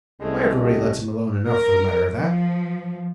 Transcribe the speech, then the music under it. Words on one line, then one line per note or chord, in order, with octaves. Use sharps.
'Why everybody lets him alone enough, for the matter of that.
C2 G#3 A3 C#4
G4 D#5
A#4
F3